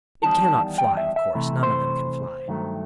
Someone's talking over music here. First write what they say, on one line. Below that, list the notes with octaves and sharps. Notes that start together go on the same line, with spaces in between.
It cannot fly, of course: none of them can fly....
E2 D#3 G3 D#4 A5
G5
E5
E5
C3 E3 A3
C5
G2 D#3 F#3 A3